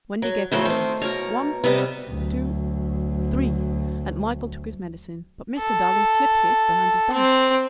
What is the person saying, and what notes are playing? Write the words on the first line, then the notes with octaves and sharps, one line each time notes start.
Wendy gave the words, one, two, three, and Michael took his medicine, but Mr. Darling slipped his behind his back.
F#3
A2 C#3 F#3 A3 C5 G5
D#3 C4
B2 A#4 C#5 A#5
C3 G3 B3 D#4
D2 F#3
A4
C4